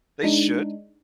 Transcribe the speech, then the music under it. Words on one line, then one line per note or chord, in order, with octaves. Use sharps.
They should.
G#3 D4 D#4